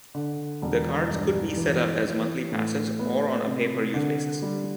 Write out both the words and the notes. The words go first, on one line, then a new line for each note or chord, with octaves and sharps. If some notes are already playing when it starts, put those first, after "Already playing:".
The cards could be set up as monthly passes or on a pay-per-use basis.
D3
E1
G2
E3
E3
A2
B3
C3
D3
G3